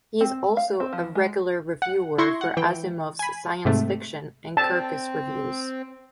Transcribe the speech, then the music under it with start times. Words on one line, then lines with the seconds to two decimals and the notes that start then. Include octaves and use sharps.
He is also a regular reviewer for Asimov's Science Fiction and Kirkus Reviews.
0.21 C4
0.57 F5
0.80 C4
0.93 F3
1.15 G#3
1.82 F#5
2.18 E4 C6 C#6 G#6 A#6
2.41 F#5
2.57 E3 G5
3.19 G#5 B5
3.65 G#2 C3 A3
4.57 C4 A5